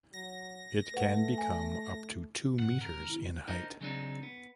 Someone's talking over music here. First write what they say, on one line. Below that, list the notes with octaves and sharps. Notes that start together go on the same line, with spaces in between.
It can become up to two metres in height.
F#3 A#6
A3 B4 F#5
G#5
G#2 E3 C4 F#5
C3 D#3 A#4
G#3
E4
D4 D#4 A#4 C5 D#5
C#3 F#3 G#3 C4 D4 D#4
B3